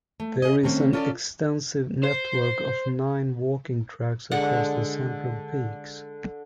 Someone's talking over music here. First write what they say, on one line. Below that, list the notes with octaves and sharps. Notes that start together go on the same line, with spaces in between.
There is an extensive network of nine walking tracks across the central peaks.
A3
G#4 D#5
D#3 A3 C4 C#4
C#4 F4 A4 C#5 D5
C5
D3 G#3 F#5